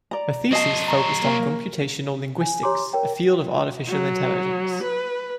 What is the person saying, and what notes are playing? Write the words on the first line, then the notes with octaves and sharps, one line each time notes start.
Her thesis focused on computational linguistics, a field of artificial intelligence.
D5 A#5
F#3 C5 D#5 A5
A#5 C#6
A#3
G#5
G4 C#5 A#5 C6 D6
A#4 C#5 G5
F#3
B4